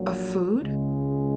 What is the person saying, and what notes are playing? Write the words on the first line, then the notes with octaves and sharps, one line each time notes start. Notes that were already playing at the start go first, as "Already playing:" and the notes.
a food,
Already playing: A#1 A#2 F#3
C#2 C#3 G#3